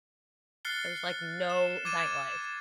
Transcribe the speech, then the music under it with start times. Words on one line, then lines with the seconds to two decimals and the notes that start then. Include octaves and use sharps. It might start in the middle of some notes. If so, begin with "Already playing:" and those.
There's, like, no nightlife.
0.65 F6 F#6 A6 C7 C#7 G7
1.49 E7
1.85 D6 G#6 A6 D#7 E7